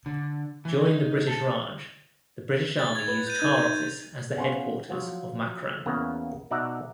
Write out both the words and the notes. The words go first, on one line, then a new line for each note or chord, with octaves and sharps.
During the British Raj, the British Army used Tar-Office as the headquarters of Makran.
D3
E3
D#4
A4
A6
G#6 F7
B4
G6 A6 D#7
D#4 A#4
B3 C#4 F4
F3 F#3
E2 C#3 A#3 B3
B2 D#4 D5 E5 F#5 A#5